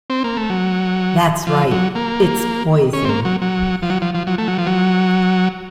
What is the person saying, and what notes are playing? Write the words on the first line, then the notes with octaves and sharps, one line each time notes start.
That's right, it's poison!
C4
A#3
A3
F#3
F3
F#3
A#3
C#4
C4
A#3
F#3
F#3
F3
F#3
F3
F3
F#3
A3
F#3
F3
F#3